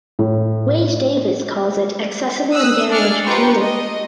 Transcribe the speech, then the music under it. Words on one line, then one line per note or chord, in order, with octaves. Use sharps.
Wade Davis calls it "accessible and very entertaining".
A2
D#6 E6 F#6
D4 D5 G#5 F6 C#7
F4 G4 B4 C5 A#5 C#6
D#5